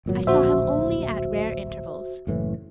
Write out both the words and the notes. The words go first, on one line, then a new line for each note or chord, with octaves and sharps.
I saw him only at rare intervals.
G#1 A#2 F#3
D1 A#1 F#4 C5 E5
F#1 A2 E3